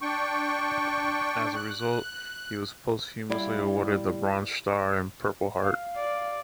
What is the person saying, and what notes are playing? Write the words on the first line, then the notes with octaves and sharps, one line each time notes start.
As a result, he was posthumously awarded the Bronze Star and Purple Heart.
D4 G5 C#6
F#6
G3 E4 D5 F5
F5
D5